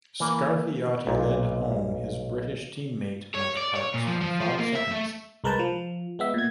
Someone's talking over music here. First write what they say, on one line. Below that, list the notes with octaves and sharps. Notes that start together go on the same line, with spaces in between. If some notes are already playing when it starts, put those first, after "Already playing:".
Scarfiotti led home his British team mate Mike Parkes by five seconds.
E3 A#3
B1 A#2
C#5
D5
C#5
A#2
F3
F3
F3
A#3
E5
A3
C2 G#3 A#4 B4 A5 G6
F3
G#3 B3 E5
A#2 G#6